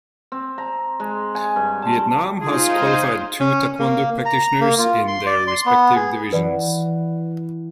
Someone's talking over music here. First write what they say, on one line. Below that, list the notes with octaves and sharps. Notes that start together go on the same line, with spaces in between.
Vietnam has qualified two taekwondo practitioners in their respective divisions.
C4
A#5
G#3
G#5
G2
A5
G#3 D#4 F4 G#4 C5
C#4
A#3
A#5
A#3
F4
C6
D5
C6
B3
G#4
E3 F#4 B4 D5 B5